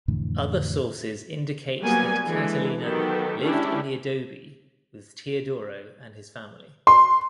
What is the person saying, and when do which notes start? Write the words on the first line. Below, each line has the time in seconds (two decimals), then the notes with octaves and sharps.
Other sources indicate that Catalina lived in the adobe with Teodoro and his family.
0.08 F2 A2 D3 E3
1.81 F#3 G3 A#3 B3 G#5
2.26 D3 E3 G#3
2.80 D#3 F#3 B3 G4 A4
3.40 G#3 C#4 D4 E4 G4
6.87 C6